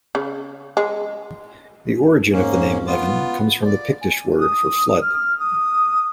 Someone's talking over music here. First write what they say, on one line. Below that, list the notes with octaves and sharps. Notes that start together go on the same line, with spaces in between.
The origin of the name "Leven" comes from the Pictish word for "flood".
C#3
G#3
G#2 A#3 C#4
B3 F4
D5
G#5
D#6
F6
D#6